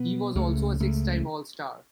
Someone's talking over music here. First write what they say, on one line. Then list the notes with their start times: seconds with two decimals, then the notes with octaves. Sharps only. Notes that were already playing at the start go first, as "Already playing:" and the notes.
He was also a six-time All-Star.
Already playing: B2 B3
0.35 C#2 C#3 A3
0.80 C#2 C#3 A3